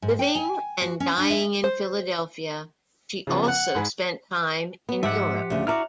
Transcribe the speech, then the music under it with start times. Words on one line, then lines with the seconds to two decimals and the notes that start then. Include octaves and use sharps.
Living and dying in Philadelphia, she also spent time in Europe.
0.02 G#2
0.19 G5
0.35 G#5
0.82 F#4
1.00 C#4
1.18 D4
1.30 E5
1.64 C5
3.27 C#3 F3 B3
3.48 F#5 F#6
3.75 G#2 G#5 B5
4.89 B3
5.03 G#2 F3 G4 E5 F#5
5.50 D2 C#3
5.67 E4 F#4 D5 A#5 F6